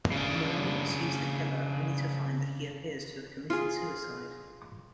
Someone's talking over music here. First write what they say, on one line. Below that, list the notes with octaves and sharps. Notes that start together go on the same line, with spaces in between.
Malloy pursues the killer only to find that he appears to have committed suicide.
C#3 D4
F4 G#4